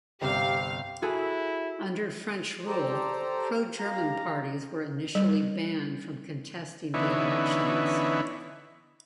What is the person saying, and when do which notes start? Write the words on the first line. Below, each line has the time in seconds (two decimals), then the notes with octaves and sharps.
Under French rule, pro-German parties were initially banned from contesting the elections.
0.22 G1 C2 C4 G4 F5
1.02 E4 F#4 G#4 A4
2.67 G4 A4 C5 D5 A#5
3.79 G4 F5 A#5
5.15 G3
6.94 D3 E3 B3 C#4 D#4 E4